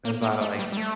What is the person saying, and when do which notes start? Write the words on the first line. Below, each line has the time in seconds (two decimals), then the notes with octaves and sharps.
there's a lotta like,
0.05 A#3
0.22 A#3
0.41 A3
0.59 G3
0.72 G3
0.77 A3